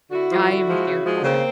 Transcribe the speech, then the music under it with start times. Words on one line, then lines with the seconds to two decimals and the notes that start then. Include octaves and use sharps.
"I am here for it."
0.11 D3 E4 F#4
0.30 F3 G#3
0.49 D3
0.67 F3 G#3
0.87 C#3
1.05 F3 G#3
1.24 C#3 A#3 C4